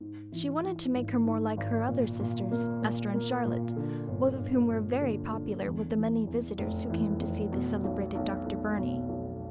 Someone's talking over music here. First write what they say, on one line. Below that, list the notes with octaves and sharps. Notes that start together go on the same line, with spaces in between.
She wanted to make her more like her other sisters, Esther and Charlotte, both of whom were very popular with the many visitors who came to see the celebrated Dr. Burney.
G#2
E3
E3
G#1
G#2
G#1
A#2
A#2
A#3
A#2
A#3
A#2
D3
G1
G1
G1
D3
D3
E2
E3
E2
F1
E3
F1
B2
B1
B1
B1
B2
B1